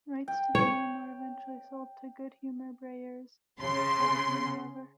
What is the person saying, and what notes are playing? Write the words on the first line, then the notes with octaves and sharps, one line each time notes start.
Rights to the name were eventually sold to Good Humor-Breyers, part of Unilever.
G5
C#5
C#3 C6